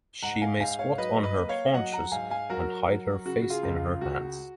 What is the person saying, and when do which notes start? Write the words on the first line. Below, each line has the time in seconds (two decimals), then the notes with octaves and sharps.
She may squat on her haunches and hide her face in her hands.
0.23 G#2 F#5 A#5
0.42 F5 G#5
0.60 G#2 F5 G#5
0.79 C#5 F5
0.98 F#3 B4 D#5
1.24 B4 D#5
1.36 A#3
1.49 C#5 F5
1.74 F#3 D#5 F#5
1.92 F#5 A#5
2.12 G#2 F5 G#5
2.30 F5 G#5
2.50 F#3 F#4 A#4
2.88 F#3
3.25 C#3 F#4
3.42 F#4
3.50 F4 G#4
3.63 C#2
3.76 F4
4.01 C#2 F#4